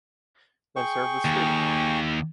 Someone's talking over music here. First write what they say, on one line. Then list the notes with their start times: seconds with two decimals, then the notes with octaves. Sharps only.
Then serve the stew.
0.76 G#4 G5 C#6
1.25 D#2